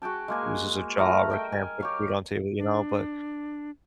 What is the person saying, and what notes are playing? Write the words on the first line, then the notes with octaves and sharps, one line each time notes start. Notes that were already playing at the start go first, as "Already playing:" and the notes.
loses a job or can't put food on table, you know, but
F#4 G#4 G5 A5
G#3 A#3 G#5
A3 F5 A#5
A#4 D#5 G5
G#5
G4 C#5 F5
D4